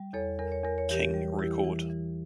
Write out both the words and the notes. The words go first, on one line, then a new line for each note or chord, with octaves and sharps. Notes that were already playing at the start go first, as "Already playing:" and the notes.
King record.
Already playing: G3
E2 A4 C#5
E2 A#4
C#5
E2 A#4
C#5
E3 G4 A#4
G3
E3 E4 G4
E3
E3